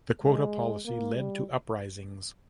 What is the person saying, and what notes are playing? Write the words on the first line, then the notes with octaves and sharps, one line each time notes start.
The quota policy led to uprisings.
G#3
A#3
G3